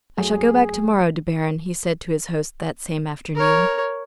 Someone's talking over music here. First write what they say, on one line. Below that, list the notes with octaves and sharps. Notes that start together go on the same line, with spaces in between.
"I shall go back to-morrow, De Baron," he said to his host that same afternoon.
F#2 F#3 A3 G#4
A#4 C#5